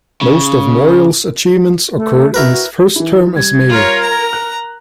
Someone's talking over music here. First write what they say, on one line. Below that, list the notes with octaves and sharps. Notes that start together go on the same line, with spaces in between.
Most of Morial's achievements occurred in his first term as mayor.
C#3
A3
E4 F#4 A#4 B4
F#4
E3 E4
G3 G#6
F4 A#4 C#5
A#5
F#6